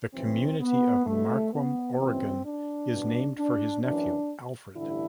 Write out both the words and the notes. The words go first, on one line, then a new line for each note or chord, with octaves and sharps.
The community of Marquam, Oregon, is named for his nephew, Alfred.
B1 A2 E3 C4
B3
C2 B2 A3
B3
F#1 F#2 E3 C4
D4
C2 B2
D4
F#1 F#2 E3 D4
A1 G2 D3 E4